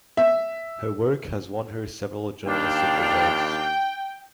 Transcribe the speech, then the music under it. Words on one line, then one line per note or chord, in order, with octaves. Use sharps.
Her work has won her several journalistic awards.
E5
D#2 D4 F5 G5